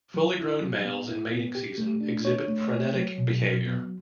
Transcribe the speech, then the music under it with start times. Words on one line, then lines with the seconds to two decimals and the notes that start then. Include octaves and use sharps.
Fully grown males in mating season exhibit frenetic behaviour.
0.14 F#3
0.38 E4
0.61 F#3
0.85 B3
1.08 E4
1.31 B3
1.55 G4
1.78 A3
2.01 D4
2.25 C#5
2.48 A3
2.71 C#5
2.94 F#3
3.18 B2
3.42 F#3
3.65 B3